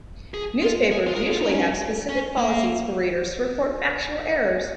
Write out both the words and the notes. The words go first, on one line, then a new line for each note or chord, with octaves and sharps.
Newspapers usually have specific policies for readers to report factual errors.
G#4
F4
G#4
F4
A#4
G#4
F4
D#4
C#4
C#4
A#3